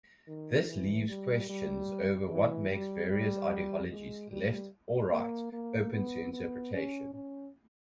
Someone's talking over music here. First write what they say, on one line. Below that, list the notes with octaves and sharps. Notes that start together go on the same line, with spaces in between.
This leaves questions over what makes various ideologies left or right open to interpretation.
D#3
E3
G3
G3
E3
G3
G3
G#3
G3
A#3
A#3
B3
B3
C#4
C#4